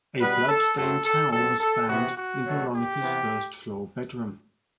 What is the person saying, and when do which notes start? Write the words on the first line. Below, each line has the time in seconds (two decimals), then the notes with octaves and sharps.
A bloodstained towel was found in Veronica's first-floor bedroom.
0.21 B2 G3 B3 B4
0.49 A4
0.77 F#2 F#3 A3 C4 A4
1.05 A4
1.32 B2 F#3 C4 A4
1.61 A4
1.89 C3 E3 B3 F#4
2.17 F#4
2.46 B2 F#3 A3
2.73 G4
3.01 C3 E3 B3